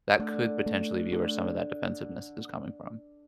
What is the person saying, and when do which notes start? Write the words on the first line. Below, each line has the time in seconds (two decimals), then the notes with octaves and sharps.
that could potentially be where some of that defensiveness is coming from.
0.19 D3 A3
0.66 A3
1.12 D3 A3